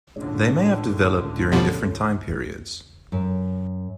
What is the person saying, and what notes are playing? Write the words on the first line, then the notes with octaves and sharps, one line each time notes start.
They may have developed during different time periods.
C#2 A2 D3 G#3 C#4 D4
B2 F3 G3 C#4 A4
F#2